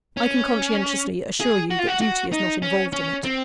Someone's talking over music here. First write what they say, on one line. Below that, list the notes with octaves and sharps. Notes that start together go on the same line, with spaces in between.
I can conscientiously assure you that duty is not involved in it.
C#4
G#4
F#4
F4
F#4
F#4
D#4
C#4
C#4
C4